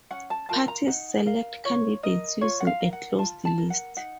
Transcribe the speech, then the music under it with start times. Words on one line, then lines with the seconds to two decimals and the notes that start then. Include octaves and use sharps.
Parties select candidates using a closed list.
0.11 C#4 F#5
0.30 A5
0.49 F4 A#4 A5
0.68 A#5
0.88 D#4 F#5
1.26 A#4 F5
1.65 F4 C#5
2.03 A#4 D#5
2.41 F4 C#5
2.60 F#5
2.67 F5
2.80 A#4
2.93 F#5
3.18 F4 A5
3.45 A5
3.58 A#4
3.70 F#5
3.96 D#4 F#5